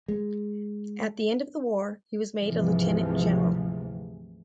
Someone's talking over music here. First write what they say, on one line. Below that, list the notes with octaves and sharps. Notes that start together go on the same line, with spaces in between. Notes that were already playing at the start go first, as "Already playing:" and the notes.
At the end of the war he was made a Lieutenant-general.
G#3
D2 G#2 C3 E3 F3 G#3